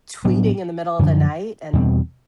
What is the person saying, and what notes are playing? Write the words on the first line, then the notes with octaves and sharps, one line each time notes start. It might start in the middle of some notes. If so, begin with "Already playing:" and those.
tweeting in the middle of the night and
A2 F#3 B3 D4
F#2 D3 F3
E2 B2 G3 C4